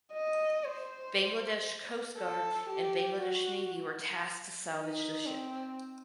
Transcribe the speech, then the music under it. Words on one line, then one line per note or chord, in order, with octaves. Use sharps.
Bangladesh Coast Guard and Bangladesh Navy were tasked to salvage the ship.
D#5
C5
A4
G4
F#4
D#4
C4